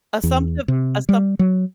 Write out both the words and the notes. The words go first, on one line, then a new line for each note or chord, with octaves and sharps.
Assumptive assump
E2
C3
G3
F#3